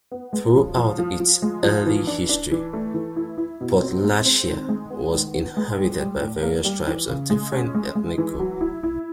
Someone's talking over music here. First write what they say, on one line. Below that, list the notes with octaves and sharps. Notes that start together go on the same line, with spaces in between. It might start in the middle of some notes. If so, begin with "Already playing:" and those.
Throughout its early history, Podlachia was inhabited by various tribes of different ethnic roots.
B3
G#3
F3
F3
F3
F3
G#3
F3
E3
D4
D4
E3
A3
E3
E4
E4
B2
C4
G#3
C4
D#3
G#3
B3
D#3
B3
G#3
G3
G3
A2
A#3
G3
E3
C#3
G#3
C#4
G#3
G#3
E3
F#3
E4
E4